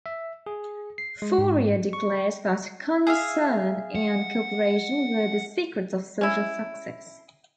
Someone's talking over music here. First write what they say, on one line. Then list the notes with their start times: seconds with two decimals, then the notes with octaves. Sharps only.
Fourier declared that concern and cooperation were the secrets of social success.
0.06 E5
0.46 G#4
0.98 C7
1.22 G#3
1.38 G#2
1.93 C#6
3.07 G#4 E5 F5
3.95 F#5
6.21 C#4 E4